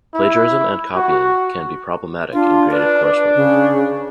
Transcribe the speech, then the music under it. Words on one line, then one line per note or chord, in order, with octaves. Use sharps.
Plagiarism and copying can be problematic in graded coursework.
E4
F#4
D4 F4
D4 B4
D4
C#3